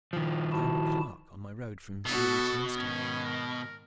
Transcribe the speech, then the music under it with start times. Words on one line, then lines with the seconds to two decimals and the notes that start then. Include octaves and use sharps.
"I am a clerk on my road from Beaulieu to Minstead."
0.13 D#3 F3
0.52 E4 F#4 A5
2.06 B2 B3 F#4 A4
2.76 G#2 D#3 C#4
3.25 A#4